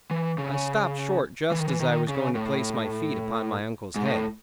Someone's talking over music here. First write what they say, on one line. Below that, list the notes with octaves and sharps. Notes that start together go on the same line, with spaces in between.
I stopped short just as I was going to place my feet upon my uncle's head.
E3
C#3
E3
D#3
E3
D#3
C#3
A2
G#2
A2